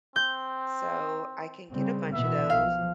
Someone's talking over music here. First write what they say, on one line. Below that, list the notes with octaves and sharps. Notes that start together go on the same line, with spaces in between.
So, I can get a bunch of those,
C4 G6
C#3 G3 C4
B2 E3 B3 E5
B1 F3 F5